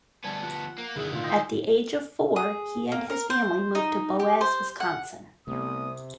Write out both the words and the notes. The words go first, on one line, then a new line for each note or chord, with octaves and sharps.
At the age of four, he and his family moved to Boaz, Wisconsin.
D2 G3 B3 G#5 A5
F3 F#5
A#3
G1 D#3 E4 G#4 D#6 F#7
A2 D3 F4
D#5 G5 C6 G6 A#6
G#4
A#3
A#4
C5
D#4
G4
C5
F#5
C2 C3 A3 B3 D#6